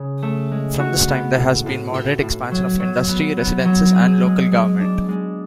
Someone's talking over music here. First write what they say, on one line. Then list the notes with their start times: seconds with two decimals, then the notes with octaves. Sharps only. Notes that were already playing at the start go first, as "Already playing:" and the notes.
From this time there has been moderate expansion of industry, residences, and local government.
Already playing: C#3
0.22 A3
0.51 G#3
0.79 F#4
1.08 B3
1.37 A2
1.66 A2
1.94 A2
2.22 A2
2.51 F#3
2.80 F#3
3.08 B3
3.37 B3
3.65 F#3
3.94 G#4
4.23 G#3
4.52 G#3
4.81 D4
5.09 G#3